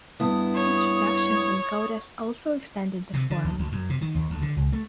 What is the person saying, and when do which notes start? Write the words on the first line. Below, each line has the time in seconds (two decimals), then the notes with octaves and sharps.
Introductions and codas also extended the form.
0.20 G2 B3 E4 D#6
0.54 C#5
1.34 D#6
3.13 C3
3.30 D3
3.44 D2
3.59 D2
3.72 F#2
3.90 C3
4.01 D#3
4.15 D#2
4.30 D2
4.42 D3
4.57 C#2
4.72 A3